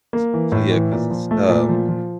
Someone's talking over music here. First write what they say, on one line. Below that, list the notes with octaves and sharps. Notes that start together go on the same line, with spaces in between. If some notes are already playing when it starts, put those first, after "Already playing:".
s so yeah 'cause it's, um
A#3
E3
A2
E3
A#2
F3
A3
A#2
F3
F3